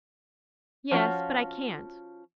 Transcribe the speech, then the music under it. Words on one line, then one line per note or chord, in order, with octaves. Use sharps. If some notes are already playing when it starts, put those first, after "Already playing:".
"Yes, but I can't."
F3 C#4 F4 F#4